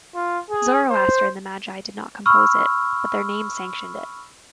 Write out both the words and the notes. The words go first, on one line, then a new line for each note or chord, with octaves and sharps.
Zoroaster and the magi did not compose it, but their names sanctioned it.
F4
G#4
C5
B5 C#6 E6 F6